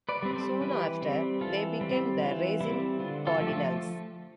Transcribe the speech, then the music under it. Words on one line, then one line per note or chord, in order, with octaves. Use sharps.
Soon after, they became the "Racine Cardinals".
B4 D5
G3 C4
A4 C5
E3 G4 B4
G3 C4
E3 F4 A4
G3 C4
E3 F4
G3 C4 E4
D3 F4
F4 A4
F3 A3
G4
F4 A4